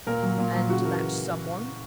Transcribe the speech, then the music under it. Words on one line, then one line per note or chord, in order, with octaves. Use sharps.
"And that someone?"
A#2 A#4
F#3
A#2
F#3
C#3 F#4
E3 A#4